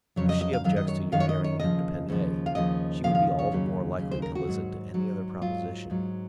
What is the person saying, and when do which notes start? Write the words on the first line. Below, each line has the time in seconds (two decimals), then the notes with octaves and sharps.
"If she objects to your marrying M. d'Epinay, she would be all the more likely to listen to any other proposition."
0.16 F2 C#3 F#3 C#5
0.29 D#5
0.41 D#5
0.53 F5
0.64 F#2 D#3 F#3 F5
0.76 D#5
0.88 C#5
1.12 F#2 D#3 F#3 F5
1.20 C#5
1.29 D#5
1.44 C#5
1.60 D#2 C#3 F3 D#5
2.08 D#2 C#3 F3
2.46 F5
2.55 D#2 C#3 F3 D#5
3.04 D#2 C#3 F3 F5
3.15 F5
3.39 C#5
3.52 D#2 C#3 F#3
3.98 D#2 C#3 F#3
4.11 C5
4.22 A#4
4.35 F#4
4.47 G#2 F#3
4.94 G#2 F#3
5.42 G#2 F#3 F4
5.90 G#2 F#3